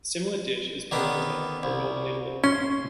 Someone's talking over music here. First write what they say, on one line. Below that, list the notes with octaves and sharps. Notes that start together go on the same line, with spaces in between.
A similar dish is polenta, from northern Italy.
D3 D#3 B3
C2
C#4 C6